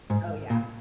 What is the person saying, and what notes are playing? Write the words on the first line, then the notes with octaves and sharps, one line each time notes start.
Oh, yeah.
G#2
A#2